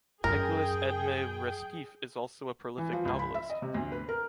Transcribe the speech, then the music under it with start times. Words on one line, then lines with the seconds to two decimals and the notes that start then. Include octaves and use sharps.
Nicolas-Edme Restif is also a prolific novelist.
0.24 F#2 G#4 A#4 G5
2.78 E3
2.93 F3
3.05 C#2
3.19 B5
3.35 E5
3.50 D#5
3.62 C3
3.74 D2
3.92 B4
4.09 A#4